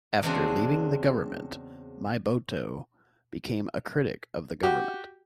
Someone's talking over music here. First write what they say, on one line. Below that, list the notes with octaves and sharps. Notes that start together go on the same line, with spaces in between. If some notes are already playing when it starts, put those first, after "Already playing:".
After leaving the government, Myboto became a critic of the government.
E2 C#3 G#3 C4 D4 F#4
F#4 G4